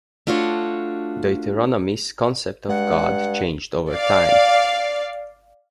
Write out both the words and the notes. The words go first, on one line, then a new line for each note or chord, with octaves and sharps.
Deuteronomy's concept of God changed over time.
A3 D4 F4 F#4 C5 C#5
G2 G#3 F#5
D5 F5